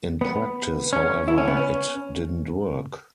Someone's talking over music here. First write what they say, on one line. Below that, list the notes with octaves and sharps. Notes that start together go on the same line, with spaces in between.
In practice, however, it didn't work.
B3
C#4
E4
C#4
B3
C#4